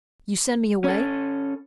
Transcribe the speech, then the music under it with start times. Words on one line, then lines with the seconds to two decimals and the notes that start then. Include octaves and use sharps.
"You send me away?"
0.84 C#4 A4